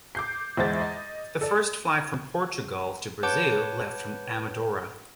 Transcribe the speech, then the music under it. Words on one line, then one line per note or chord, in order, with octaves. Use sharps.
The first flight from Portugal to Brazil left from Amadora.
D6 G6 C7
E2 G#3 C5 E5 G#6 A6
D#5
A4 D5
B4 C#5 F#5 A5 D6 G6